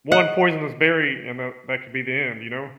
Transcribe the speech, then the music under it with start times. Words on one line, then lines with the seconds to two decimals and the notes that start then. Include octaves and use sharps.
one poisonous berry, and tha that could be the end, you know?
0.12 D#5 F#5